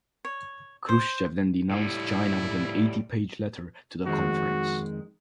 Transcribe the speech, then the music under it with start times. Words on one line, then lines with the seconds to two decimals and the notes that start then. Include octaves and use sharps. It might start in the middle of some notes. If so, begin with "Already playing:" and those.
Khrushchev then denounced China with an eighty-page letter to the conference.
0.25 C#5
0.89 C5
1.71 A2 G3 E4
4.05 F2 D#3 G#3 F#4